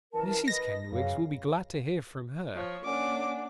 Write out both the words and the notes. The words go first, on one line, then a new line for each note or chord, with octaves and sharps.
Mrs Kenwigs will be glad to hear from her.
F#2 E3 A#4 A5
B4 D#5 A#6
F#2 C#3 F5
F3 C#5
A#3 C#4 D4 D5 F#5 G#5 D6